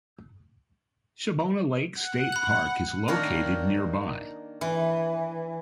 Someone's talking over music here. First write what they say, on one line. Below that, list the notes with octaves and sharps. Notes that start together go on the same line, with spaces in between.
Shabbona Lake State Park is located nearby.
F#5
B5 F#6
D#3 A#3 D4 A#4 C#5
E3